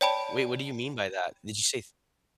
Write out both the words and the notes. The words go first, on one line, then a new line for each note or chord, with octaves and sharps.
Wait, what do you mean by that? Did you say
C#5 D5 G5 A5 B5 D7